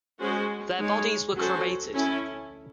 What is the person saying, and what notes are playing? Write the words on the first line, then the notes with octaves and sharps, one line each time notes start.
Their bodies were cremated.
G#3 C#4 F#4 C5
G#3 D#4 G#4 C#5
F#3 C#4 F#4 A4 C5
C#4 E4 A4